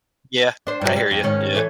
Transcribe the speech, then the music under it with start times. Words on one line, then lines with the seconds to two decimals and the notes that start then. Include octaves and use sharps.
Yeah, I hear you, yeah.
0.67 D4 C5
0.81 G2 F#3
0.96 G3
1.11 F2
1.23 G#2 D#3 C#4
1.55 E3 A4 C#5